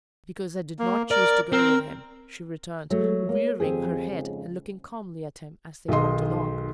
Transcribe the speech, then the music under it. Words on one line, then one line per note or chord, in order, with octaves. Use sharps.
"Because I did not choose to go with him," she returned, rearing her head and looking calmly at him as they walked along.
A#3
A#4 D5
C4 A#4
F#3 G#3 A3 F#4 A4
A#3 C#5
F2 C4 G4 G#4
F2 G#2 C#3
B1 D#3 G#4 D#5 C6